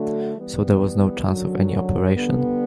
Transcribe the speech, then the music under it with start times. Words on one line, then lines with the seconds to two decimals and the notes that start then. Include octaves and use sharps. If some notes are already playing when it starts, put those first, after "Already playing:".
So there was no chance of any operation?
Already playing: D3 F#3 A3 D4 F#4
0.34 E3 G3 B3
1.24 F#2 D3 F#3
2.14 D3 G3 B3